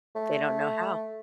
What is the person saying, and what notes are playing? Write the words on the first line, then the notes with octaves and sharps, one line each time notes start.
They don't know how.
A3